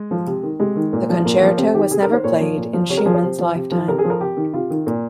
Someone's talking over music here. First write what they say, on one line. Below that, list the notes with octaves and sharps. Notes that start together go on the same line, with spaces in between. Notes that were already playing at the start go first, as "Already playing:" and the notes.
The concerto was never played in Schumann's lifetime.
Already playing: G#3
F3
C3
D#3
C3 G#3
D#3
A#2
F3
A#2 A#3
A#3
F3
A#3
C3 C4
D#3 G4
C3 G#4
D#3 A#4
C5
A#2 C#5
F3
A#2
F3
C3 C#5
A#4
F3 G#4
C5
C3
F3
C3
F3
C3 A#4
G#4
F3
A#4
C3 G4
D#3
C3 F4
D#3
A#2